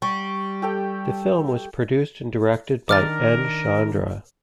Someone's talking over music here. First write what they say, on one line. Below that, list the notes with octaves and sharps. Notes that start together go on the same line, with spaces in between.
The film was produced and directed by N. Chandra.
G3 C#6
G4 A4 G5
D#3 D4 A#4 A#5 D6 F6 A6